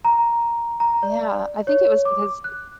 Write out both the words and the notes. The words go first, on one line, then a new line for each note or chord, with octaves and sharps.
Yeah, I think it was because, eh
A#5
A#5
D5
C#5
D6
F#6